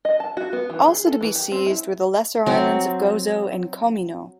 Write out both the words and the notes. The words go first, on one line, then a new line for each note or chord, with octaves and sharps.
Also to be seized were the lesser islands of Gozo and Comino.
D#5
A5
F#4
B3
E3
G#4
A4
E3
G4
C4
E4
F#3 C4